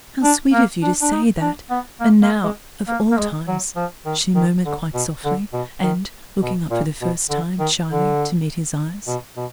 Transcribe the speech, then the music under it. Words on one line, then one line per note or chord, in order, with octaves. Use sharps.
"How sweet of you to say that! and now, of all times," she murmured quite softly, and looking up for the first time, shyly, to meet his eyes.
D4
A#3
D4
D4
D#4
D4
B3
A#3
A#3
G#3
A#3
A#3
G#3
F#3
F3
D#3
D#3
D3
B2
D3
B2
D#3
B2
A#2
B2
D3
D#3
D3
B2
B2